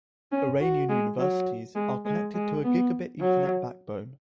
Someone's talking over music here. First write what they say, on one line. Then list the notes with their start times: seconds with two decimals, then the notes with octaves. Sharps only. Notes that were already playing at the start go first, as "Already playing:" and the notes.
Iranian universities are connected to a gigabit ethernet backbone.
0.32 C#4
0.60 F#4
0.89 G#3
1.18 F#3
1.75 G#3
2.05 G#3
2.34 G#3
2.64 B3
3.21 F#3